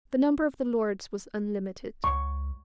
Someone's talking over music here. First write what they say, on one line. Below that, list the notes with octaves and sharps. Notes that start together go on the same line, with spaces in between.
The number of the Lords was unlimited.
C#2 C#6